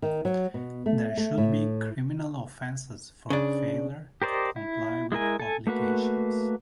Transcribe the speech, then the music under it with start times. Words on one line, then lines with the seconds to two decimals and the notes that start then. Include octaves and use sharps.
There should be criminal offences for failure to comply with obligations.
0.02 D#3
0.25 F#3
0.54 B2
0.86 A3
1.17 A3
1.38 A2
3.30 C#3 D4
4.22 G4 A#4 C5 D5 D#5
4.56 E4
5.12 G#3 E4 A#4 G#5
5.40 A4 G#5
5.67 A3 A#3 F#4 B4